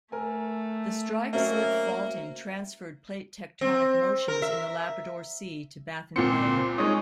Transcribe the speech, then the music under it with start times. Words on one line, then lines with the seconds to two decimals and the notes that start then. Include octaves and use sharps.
The strike-slip faulting transferred plate-tectonic motions in the Labrador Sea to Baffin Bay.
0.12 A3 A#4 G#5
1.33 F#3 A#3 C#4 C5 D#5 E5
3.61 C4
4.28 A#4
4.42 E5
6.16 C#2 A#2 C4 C#7
6.78 G#3 D#4 C#5